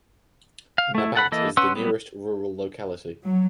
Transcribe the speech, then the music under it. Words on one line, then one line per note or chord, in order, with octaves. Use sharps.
Nabat is the nearest rural locality.
F5
A3 E4
A4 F#5 B5
E3 A#3 A4 D#5
C#4 B4 F#5 C6 E6
F#3 G3 B3
F#3